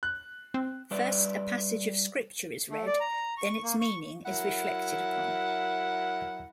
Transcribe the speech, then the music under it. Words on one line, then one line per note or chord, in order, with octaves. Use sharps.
First a passage of Scripture is read, then its meaning is reflected upon.
F#6
C4
G3 B4 D5 E5
A3
D5
A#5
C#6
A#3
C#6
F#3 E4 A#4 F#5